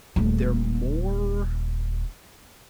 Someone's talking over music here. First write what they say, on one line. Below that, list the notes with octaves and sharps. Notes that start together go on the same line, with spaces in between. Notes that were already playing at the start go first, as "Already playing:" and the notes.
they're more
D#1 A3